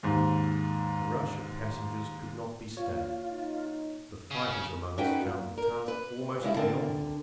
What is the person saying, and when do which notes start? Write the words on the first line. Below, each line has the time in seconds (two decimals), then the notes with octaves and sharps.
The rush of passengers could not be stayed. The fighters among us found the task almost beyond them.
0.03 D#2 G#2
2.77 A#2 F4 C#5
3.31 D#4
4.31 C#3
4.98 C#4 D#4 F#4 A4 B4 G5
5.21 A#2
5.58 A#4
5.88 B4
6.41 C#3 G3 G#3 E4
6.56 D3 C4 A#4 A5